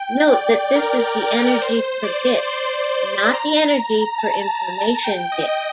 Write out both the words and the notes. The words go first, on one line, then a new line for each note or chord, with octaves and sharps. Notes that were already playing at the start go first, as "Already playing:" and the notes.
Note that this is the energy per bit, not the energy per information bit.
Already playing: G5
D5
A#4
C5
D5
C6
A#5
A5
G5
D#5